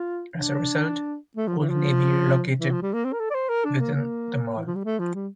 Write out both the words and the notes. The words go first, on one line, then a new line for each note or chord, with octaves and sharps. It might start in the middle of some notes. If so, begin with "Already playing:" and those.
As a result, Old Navy relocated within the mall.
Already playing: F4
D4
A3
F3
E3
F3
E3
F3
G3
A#3
C4
A#4
A4
D5
C5
A#4
D4
A#3
A#3
E3
F3
G3
A3
F3
G3